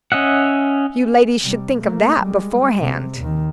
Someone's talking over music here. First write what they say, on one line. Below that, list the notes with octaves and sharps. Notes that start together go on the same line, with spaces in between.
"You ladies should think of that beforehand."
C#4 D#5 E5 F#5
C3 G3
A3 A#3
G3 G#3
C3
D#2 D#3